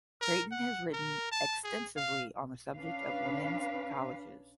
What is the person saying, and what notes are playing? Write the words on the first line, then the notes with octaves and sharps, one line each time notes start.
Creighton has written extensively on the subject of women's colleges.
A#4
F#5
A#4
A5
G#4
F5
C#4 D4 B4 F5